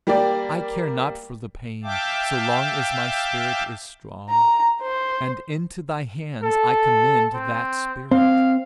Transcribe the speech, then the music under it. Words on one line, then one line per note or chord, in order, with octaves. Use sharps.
I care not for the pain, so long as my spirit is strong, and into thy hands I commend that spirit.
G3 A#3 G4 D5
E5 F5 G5 A5 D6
A#5
C5
A4
C4
C4 F5